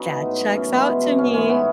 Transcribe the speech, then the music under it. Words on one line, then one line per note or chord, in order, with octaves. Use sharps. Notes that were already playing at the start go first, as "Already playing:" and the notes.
That checks out to me.
Already playing: B3 C#4 D#4 F#4
E3 G#3
A2
F#3
F#2 C#4
E3 G#3 B3
B2
F#3
G#2 C#4
E3 G#3 C#4
A2 B3